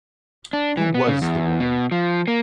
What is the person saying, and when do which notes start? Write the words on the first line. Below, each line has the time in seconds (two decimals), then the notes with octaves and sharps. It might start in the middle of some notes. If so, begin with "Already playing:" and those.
Who was the woman?
0.53 D4
0.77 E3
0.94 B3
1.08 C#3
1.22 E2
1.59 B2
1.92 F3
2.28 A#3